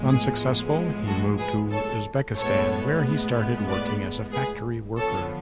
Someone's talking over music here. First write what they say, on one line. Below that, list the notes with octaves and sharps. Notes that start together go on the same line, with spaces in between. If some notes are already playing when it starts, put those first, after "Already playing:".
Unsuccessful, he moved to Uzbekistan, where he started working as a factory worker.
Already playing: A2 F3 G#3 B3
G#4
F#4 A4
G#4 B4
A4 C#5
A2 G#3 B3 A4 C#5
B4 D5
G#4 B4
D3 F3 B3 A4 C#5